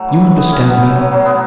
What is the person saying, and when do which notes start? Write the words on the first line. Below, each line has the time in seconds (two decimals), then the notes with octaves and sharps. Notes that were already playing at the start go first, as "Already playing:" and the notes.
You understand me?
Already playing: A2 F#3 A3
0.08 E3
0.23 G2
0.37 E3 B3
0.52 G2 C#4
0.66 F#3 B3
0.81 F#3 A3
0.96 F#3
1.11 F#3
1.25 A2 B3